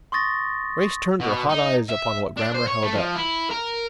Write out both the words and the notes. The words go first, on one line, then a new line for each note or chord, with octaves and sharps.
Grace turned her hot eyes upon what Grammer held up.
C6 C#6 D#6 A6 A#6
B2
D#4
E5
D4
C5
C#5
A3
F3
E4
A#4